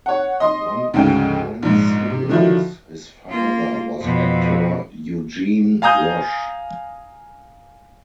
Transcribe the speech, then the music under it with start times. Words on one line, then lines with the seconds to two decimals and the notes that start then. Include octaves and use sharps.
One of nine siblings, his father was actor Eugene Roche.
0.06 C#5 F#5
0.40 D#5 C6
0.94 D2 G#2 C#3 G5
1.63 A#1 G#2
2.10 C3
2.29 D3 D#3 F3 F#3 E4
3.29 A#3 F4
3.99 F2 B2
5.82 F5 G#5 A#5 D#6 G6